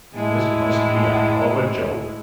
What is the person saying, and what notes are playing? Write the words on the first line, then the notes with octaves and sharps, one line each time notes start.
"This must be a hell of a joke."
A2 G#3 E4